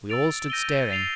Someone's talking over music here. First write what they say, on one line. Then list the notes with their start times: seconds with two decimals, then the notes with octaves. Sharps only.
We all stood staring.
0.10 E6 A6 D7 F7
0.50 G6 A#6 D#7 G7
0.90 A6 C7 F7